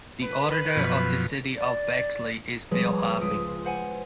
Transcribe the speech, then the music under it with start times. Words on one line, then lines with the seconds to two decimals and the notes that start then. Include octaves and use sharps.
The Auditor of the City of Bexley is Bill Harvey.
0.23 B4
0.76 F#2 B2 F3
1.57 D5
2.71 F3 G3 G#3 G#4 B4 C#5
3.21 C#2 F4 D#6 B6 D7
3.64 B4 C5 F#5 G#5